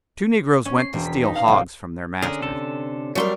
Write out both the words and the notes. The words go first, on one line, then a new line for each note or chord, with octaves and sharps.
Two negroes went to steal hogs from their masters.
C#4
C7
E1
B6
D#4
F5
B1
D3 C#4 G#4 A#4
C3 A4
F2 F#3 G3 A3 A#4 C6